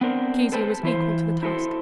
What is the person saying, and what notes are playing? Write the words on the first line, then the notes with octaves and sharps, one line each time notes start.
Kezia was equal to the task.
B3 C4 D4 A#4
G#4 A4 B4 C5 F#5 A5
E3 E4 C5
E4 F#4 A4 C5